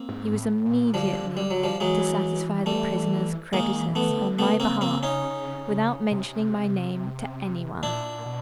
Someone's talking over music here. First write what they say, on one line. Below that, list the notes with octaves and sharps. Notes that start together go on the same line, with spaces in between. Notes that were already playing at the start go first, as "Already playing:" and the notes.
He was immediately to satisfy the prisoner's creditors, on my behalf, without mentioning my name to any one.
Already playing: A#3 C4
G#2
A2
A#2
D3 F3 G3
G3
F#3
F3 G3
E3 F#3 G#3
G3 A3
D#3 G#3 A#3
E3
A3 B3
D3
C#3 A3 B3
A#3 C4
A#3 C4
C#4 D#4
C3
A#2 D4 E4
B2